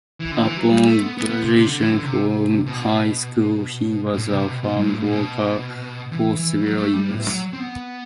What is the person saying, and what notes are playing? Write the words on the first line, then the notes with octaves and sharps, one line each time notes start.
Upon graduation from high school, he was a farm worker for several years.
E3
D3
E3
F#3
G3
A3
B3
B3
B3
C3
C3
D3
E3
D3
C3
B2
A2
C3
B2
B2
G2
A2
A2
B2
E3
E3
F#3
A3
G3
A2
F#3
C4
B3